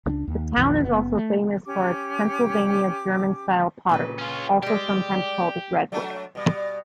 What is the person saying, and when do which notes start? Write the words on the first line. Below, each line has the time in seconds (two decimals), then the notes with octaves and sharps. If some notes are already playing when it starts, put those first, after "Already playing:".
The town is also famous for its Pennsylvania German-style pottery, also sometimes called redware.
0.06 C#2 C#4 D4
0.28 D#2
0.57 B1 F2 B2 D#3
0.84 F#1 B3
1.17 A3
1.65 C#4 G4 D6
3.89 A#2 C#3 B4
4.18 C#4 F4
4.63 G3 G#3 G4 D5
5.92 F#3 A3 D4
6.35 B2 G3